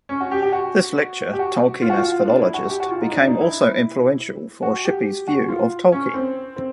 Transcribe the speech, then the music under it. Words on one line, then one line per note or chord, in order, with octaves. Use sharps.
This lecture, "Tolkien as philologist" became also influential for Shippey's view of Tolkien.
C#4
F#4
G4
G4
F#4
G4
F#4
F4
F#4
F4
D4
E4
F#4
G4
F#4
F4
D#4
D4
D#4
E4
F#4
G4
F#4
F4
C#4
C4
C4